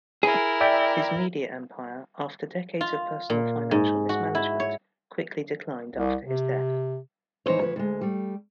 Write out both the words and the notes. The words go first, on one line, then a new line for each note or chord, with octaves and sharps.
His media empire, after decades of personal financial mismanagement, quickly declined after his death.
E4 G#4 A#4
D5 E5 G5
F4
A#2
G#2
F#4
E4
C#5
C2
C3
E3 D#4 C5 C#5
D2 F3 B4 C#5
D2 G#3
G3 A3